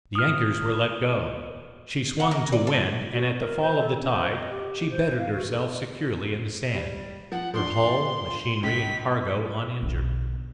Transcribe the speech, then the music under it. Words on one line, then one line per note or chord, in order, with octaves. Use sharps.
The anchors were let go, she swung to wind, and at the fall of the tide she bedded herself securely in the sand, her hull, machinery, and cargo uninjured.
D#6 F6
F#5
A#4
D5
A4
F#4
A#4
C5
A4
C#4
C5
D#5
G4
C5
F5
F#4
A4
G3
F3 F#5
F3 D4 C6
C#2 B6
B1 D3